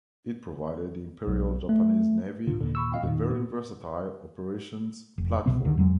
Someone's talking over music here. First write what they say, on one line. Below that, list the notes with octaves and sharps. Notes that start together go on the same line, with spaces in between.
It provided the Imperial Japanese Navy with a very versatile operations platform.
B1
A3
C#2 A2 D3 F4
D#2 A#2 D3
B5 C#6 E6
D#5 F5 G5
E1 A#2 D#3
A#3 B3
F1
C2 B2 B3
C#2 D3 D#3
F2 F#3 G#3